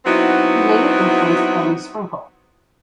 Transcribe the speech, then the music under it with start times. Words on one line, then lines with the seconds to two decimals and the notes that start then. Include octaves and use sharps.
He later influenced Annie Sprinkle.
0.05 F#3 B3 C4 D#4 E4 F#4